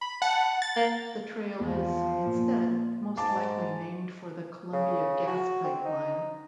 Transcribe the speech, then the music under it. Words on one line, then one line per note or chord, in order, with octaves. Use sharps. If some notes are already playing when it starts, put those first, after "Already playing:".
The trail is, instead, most likely named for the Columbia Gas Pipeline.
B5
F#5 A5
A6
A#3
E2 F3
A#2
G#2 A5 D6
C#3
F#4
C4
D#4